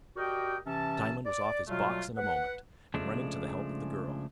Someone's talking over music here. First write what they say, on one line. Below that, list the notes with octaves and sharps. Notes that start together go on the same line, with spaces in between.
Diamond was off his box in a moment, and running to the help of the girl.
F#4 G4 A#4 D5 D#5 G5
C3 E3 C#4 E5 A5
D5
B2 F#3 G3 A3 F4
B4 F#5
C#3 F3 G#3 A3 D4